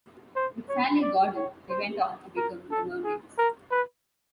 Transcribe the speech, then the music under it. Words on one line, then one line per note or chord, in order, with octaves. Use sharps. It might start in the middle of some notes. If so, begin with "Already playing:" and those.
With Sally Gordon, they went on to become The Murmaids.
C5
C#5
D5
C#5
C5
A#4
A4
G#4
A#4
B4